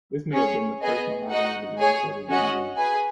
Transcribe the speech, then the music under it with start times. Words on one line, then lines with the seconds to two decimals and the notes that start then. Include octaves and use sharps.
This may have been the first mahogany to be imported to England.
0.33 C#4 G#4 C#5
0.82 B3 G#4 D#5 G#5
1.30 D#4 F#4 D#5 F#5
1.79 G#4 C#5 G#5
2.29 C#4 F#4 D#5 F#5
2.77 G#4 B4 G#5